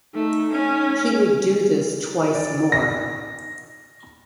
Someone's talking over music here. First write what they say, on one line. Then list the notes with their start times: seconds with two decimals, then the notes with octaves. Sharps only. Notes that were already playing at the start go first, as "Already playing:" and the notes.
He would do this twice more.
0.14 A3 D#4
0.51 C#4
2.34 D5
2.72 A#6